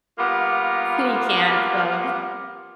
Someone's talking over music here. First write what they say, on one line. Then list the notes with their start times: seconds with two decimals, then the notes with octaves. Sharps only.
and you can't, so,
0.18 G3 A#3 B3 F4